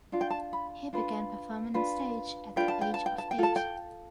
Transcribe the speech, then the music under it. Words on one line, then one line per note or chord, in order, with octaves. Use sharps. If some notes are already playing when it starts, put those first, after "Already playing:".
He began performing on stage at the age of eight.
D4 F4
G5
A5
B5
D4 F4 B4
D4 F4 B4
D4 F4 B4 G5
A5
G5
A5
G5
A5
G5
F4 A4 A5
G5